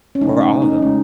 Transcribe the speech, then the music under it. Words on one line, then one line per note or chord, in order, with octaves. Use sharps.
Or all of them?
C#4
C#3 F#3 A3 D#4
D#4
D#4
C#3 G#3 C#4